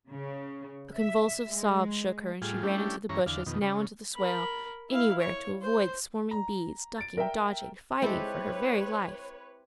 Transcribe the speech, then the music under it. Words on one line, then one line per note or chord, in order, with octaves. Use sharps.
A convulsive sob shook her, and she ran into the bushes, now into the swale, anywhere to avoid the swarming bees, ducking, dodging, fighting for her very life.
C#3
E5
G#3
A2 G3 F4 G#4
G3 A3 C#4 D4 E4 G4
G2 E3 C#4 C#5 A#5
E2 D3 F5
F2 B2 D#3
C#3
A#4 B5
E4 F5
C#5
C5
A#5
A6 D7
A#4 E5 G5
G#3 C4 E4 G4 A4 B4 C#5